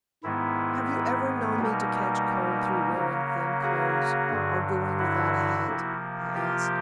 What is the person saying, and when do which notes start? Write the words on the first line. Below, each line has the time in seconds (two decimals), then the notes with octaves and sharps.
"Have you ever known me to catch cold through wearing thin clothes or going without a hat?" I asked.
0.24 G#2 D#3 G#3 B3 E4
1.59 B2 G3 A#3 D#4
2.95 C#3 F#3 A#3
3.63 F#4 G#4
4.30 G2 D3 F#3
4.99 E4 F#4
5.66 C3 F3 A#3
6.35 F4 G4